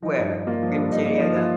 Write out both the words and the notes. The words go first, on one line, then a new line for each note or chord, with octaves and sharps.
Where? In San Diego?
F3 D#4
G2
D#4
G2
A#3 F4
F3
D4
G2
G2 D#4
A#3
D#4
F3
F4